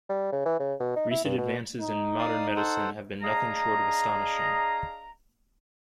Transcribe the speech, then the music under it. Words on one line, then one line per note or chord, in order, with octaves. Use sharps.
Recent advances in modern medicine have been nothing short of astonishing.
G3
C#3
E3
C#3
B2
D#4
E4
G2
B2
D#4
D5 F5 D#6
A4 C5 F#5
D4 G#4 D#5 F5 A#5